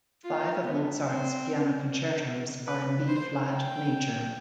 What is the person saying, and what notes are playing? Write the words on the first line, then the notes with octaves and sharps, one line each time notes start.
Five of Mozart's piano concertos are in B-flat major.
F4
B3
C4
B4
C5
G5